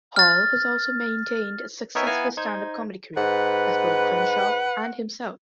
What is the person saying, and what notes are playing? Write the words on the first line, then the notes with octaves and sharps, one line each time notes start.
Hall has also maintained a successful stand-up comedy career, as both Crenshaw and himself.
F6 A6
B3 D#4 A#4 C#5 E5 G#5
B3 E4 F5 G#5 A#5
D#4 C5 G#6
G#2 B4 F#5